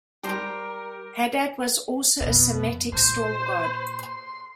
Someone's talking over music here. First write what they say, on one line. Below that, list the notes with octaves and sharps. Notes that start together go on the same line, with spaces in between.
Hadad was also a Semitic storm-god.
G3 G4 A#4 C5 A#5
F2 B2
A#2 C5 C6